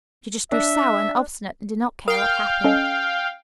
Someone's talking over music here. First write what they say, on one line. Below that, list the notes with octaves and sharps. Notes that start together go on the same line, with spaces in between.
She just grew sour and obstinate and did not care what happened.
D4 E5
A#4 F5 G5 D#6
C#4 A4 D#5